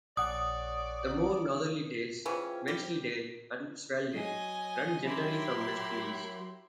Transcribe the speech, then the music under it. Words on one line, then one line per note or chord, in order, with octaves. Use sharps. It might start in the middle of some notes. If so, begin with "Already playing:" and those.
The more northerly dales, Wensleydale and Swaledale run generally from west to east.
A#1 G#4 C#5 D5 F#5 D#6
C#3 E3 C#4 F4 C5 G5
G3 G4
F#3 D#5 G#5
E4 G4 A#4 C6